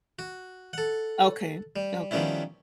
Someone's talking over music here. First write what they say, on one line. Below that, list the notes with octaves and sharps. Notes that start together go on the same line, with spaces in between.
Okay, okay.
F#4
A4 F#5
G3
D#3 F3 G3 B3 C#4 E4